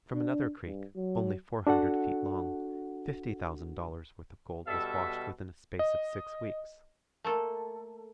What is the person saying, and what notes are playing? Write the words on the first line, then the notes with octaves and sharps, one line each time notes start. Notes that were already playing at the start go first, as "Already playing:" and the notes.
From another creek, only four hundred feet long, fifty thousand dollars' worth of gold was washed within a space of six weeks.
D4
G2
F#3
D4 F#4 A4 F#5
B2 G3 A4 E5
D#5
A3 A#3 A4